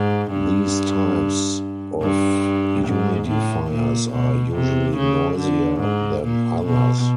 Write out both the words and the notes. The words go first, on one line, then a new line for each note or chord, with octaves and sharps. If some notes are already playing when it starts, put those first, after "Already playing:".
These types of humidifiers are usually noisier than others.
Already playing: G#2
G2
G2
G#2
A2
A#2
B2
C3
C#3
D3
G#2
A#2
B2